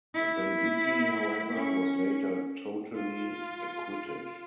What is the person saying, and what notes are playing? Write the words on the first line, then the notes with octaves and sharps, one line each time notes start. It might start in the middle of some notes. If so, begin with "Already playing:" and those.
Venditti, however, was later totally acquitted.
E4
C#4
F4